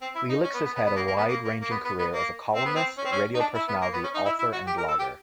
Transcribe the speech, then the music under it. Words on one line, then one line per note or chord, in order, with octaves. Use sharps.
Lileks has had a wide-ranging career as a columnist, radio personality, author, and blogger.
C4
E4
D#4
C#4
B3
B3
B3
B3
A#3
A#3
B3
A#3
A#3
A#3
B3
B3
B3
A#3
C4
B3
C4
C#4
C4
C#4
D#4
D4
E4
B3
A#3
B3
C#4
D#4
E4
E4
F#4
G4
A#4
A4
G4